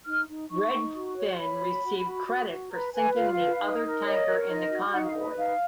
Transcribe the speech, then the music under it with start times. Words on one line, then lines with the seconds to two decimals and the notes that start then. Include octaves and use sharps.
"Redfin" received credit for sinking the other tanker in the convoy.
0.05 D#4 F6
0.28 D#4
0.49 D#4 C#6
0.72 D#4
0.94 F#4
1.16 C#5
1.38 C#5 B5
1.60 F#4
1.82 F#4
2.04 F#4
2.27 F#4
2.49 F#4
2.71 B4 A#5
2.93 B4 G#5
3.15 F4 F5
3.37 B4
3.60 D#4
3.82 A#4
4.04 C#5 D#5
4.26 A#4
4.48 D#4 D#5
4.70 F#4
4.92 D#4 F#5
5.03 F5
5.14 B4
5.25 D#5
5.36 D#4 F5